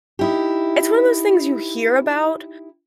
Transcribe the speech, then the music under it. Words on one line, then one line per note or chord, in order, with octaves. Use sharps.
it's one of those things you hear about,
D#4 E4 G4